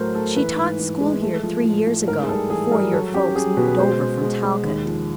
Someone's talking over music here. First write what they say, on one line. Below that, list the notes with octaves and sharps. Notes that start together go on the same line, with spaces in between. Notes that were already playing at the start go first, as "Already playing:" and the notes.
She taught school here three years ago, afore your folks moved over from Talcott.
Already playing: A2 F#3 A3 A#4 C5
A3 A4
E3 B4
G#2
E3
G#3
A3
F3
A2
A2
G#2 A#4
G#4
G3 A4
E3 G#4
G3 A#4
F#3 A4
C#4 G4
C#4 G#4
B2 B4
B4
G#3 C5
G#3
G#3
G#3
D#2
F3